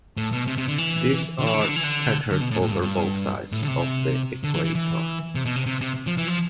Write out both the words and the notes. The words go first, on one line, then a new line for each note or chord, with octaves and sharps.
These are scattered over both sides of the equator.
A2
B2
C3
C3
D3
E3
D3
E3
D3
E3
D3
E3
D3
D3
B2
A2
A2
G2
G2
A2
D3
C3
D3
E3
E3
E3
C3
B2
C3
C3
C3
F3
E3
F3